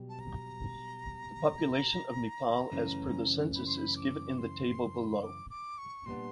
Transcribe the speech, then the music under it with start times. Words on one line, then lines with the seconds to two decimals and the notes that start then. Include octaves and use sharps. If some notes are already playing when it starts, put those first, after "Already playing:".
The population of Nepal as per the census is given in the table below.
Already playing: B1 B2 G3
0.09 A5
0.20 A#5
2.71 F#2 C#3 E3 A3 C#4
3.55 B5
3.66 C6
3.77 B5
3.96 D6
4.38 C6
5.23 D6
5.50 D6
5.78 C#6
6.06 A#2 G3 B3 D4 C6